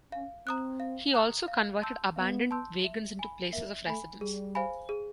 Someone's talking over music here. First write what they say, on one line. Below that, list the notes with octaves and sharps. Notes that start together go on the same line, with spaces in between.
He also converted abandoned wagons into places of residence.
C#4 F5
C4 A#5 D#6 F#6
F5
A#5 D#6 F#6
F5
A5 C6 E6 G6
B3 F5
A5 C6 E6 G6
E5
G#5 B5
A#3 E5
A3 G#5 B5
G3 G#4
C5 F5 G#5 B5
G#4